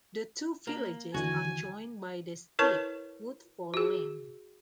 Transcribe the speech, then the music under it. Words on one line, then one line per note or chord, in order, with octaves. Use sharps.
The two villages are joined by the steep Woodfall Lane.
A#3
D#2 D3 E3 F#4 G#5
E4 A#4 B4 C#5 A5 C#6
F#4 G#4